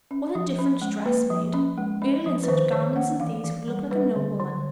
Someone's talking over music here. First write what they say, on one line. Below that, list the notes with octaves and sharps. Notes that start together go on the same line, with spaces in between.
What a difference dress made. Earle, in such garments as these, would look like a nobleman.
C#4
F3
C#4
G#3
A#3 B4
F3
C#4
G#3
C#4
F3
B4
D#3 C5
D#3 C#5
A#3 F#5
E3 F5
E3
G3
G3 B4
D3
D3